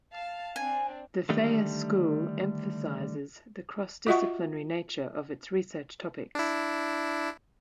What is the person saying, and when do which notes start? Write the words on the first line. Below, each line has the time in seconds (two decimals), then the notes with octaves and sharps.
The Thayer School emphasizes the cross-disciplinary nature of its research topics.
0.13 F5 A5
0.56 C4 D4 G#5
1.29 D3 D#3 G3 A3
4.07 F4 F#4 D#5 E5 F#5 C#6
6.35 D4 E4